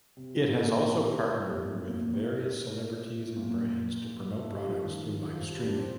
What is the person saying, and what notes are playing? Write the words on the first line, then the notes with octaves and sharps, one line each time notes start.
It has also partnered with various celebrities and brands to promote products through livestreaming.
C3
A#2
A#2
A2
A#2
C3
F3
G3
A2
A2
A#2
A2
A#2
A3
G3
F3
D#3
F3
G3
D4
C4